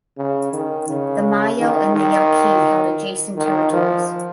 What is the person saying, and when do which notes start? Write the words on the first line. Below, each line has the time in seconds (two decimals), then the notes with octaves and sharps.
The Mayo and the Yaqui held adjacent territories.
0.18 C#3
0.53 D#3
0.89 C#3
1.60 D#3
1.95 D#3
3.37 D#3
3.72 F3